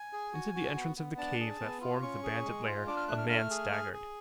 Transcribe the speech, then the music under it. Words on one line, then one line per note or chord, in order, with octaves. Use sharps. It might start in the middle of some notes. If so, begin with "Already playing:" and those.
Into the entrance of the cave that formed the bandit lair, a man staggered.
Already playing: G#5
G#4
F#4
F#4
B3
B3
D4 A5
G#4
B3
F4
C#4 C#6
G#4
G#3
F4
D4 D6
F6
A3 F#6
F6
A3 F6
G#4
G#4
G#4